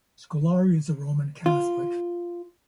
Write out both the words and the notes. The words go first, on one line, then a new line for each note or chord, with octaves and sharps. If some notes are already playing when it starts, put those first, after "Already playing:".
Scolari is a Roman Catholic.
F4